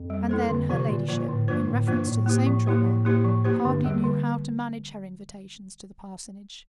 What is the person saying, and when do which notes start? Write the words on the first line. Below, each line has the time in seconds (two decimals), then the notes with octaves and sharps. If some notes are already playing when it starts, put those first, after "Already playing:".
And then her ladyship, in reference to the same trouble, hardly knew how to manage her invitations to the parsonage.
Already playing: F2
0.10 G3
0.29 A#3 E4 A4 C5
0.49 F2 D3
0.69 C3 F3 A#3 F4 C5
0.88 A#2 D3
1.08 A#2 F3 A#3 F4 C5
1.28 A2 D3
1.48 G2 F3 A#3 F4 C5
1.67 A2 D3
1.87 G2 F3 A#3 F4 C5
2.06 A2 F3
2.26 A#3 E4 G4 C5
2.46 F3
2.66 A#3 E4 G4 C5
2.85 F3
3.05 A#3 E4 G4 C5
3.24 F3
3.45 A#3 E4 G4 C5
3.65 G2 D3
3.84 E2 G3 A#3
4.04 D3